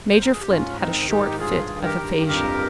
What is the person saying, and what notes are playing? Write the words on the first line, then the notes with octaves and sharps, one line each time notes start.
Major Flint had a short fit of aphasia.
C5
A#4
G#4
G4
G#2 C#4 F4
D#3 C4 D#4
G#2 D#4 G4
G2 F4 G#4
D#3
G4 A#4
G2
F2 G4 A#4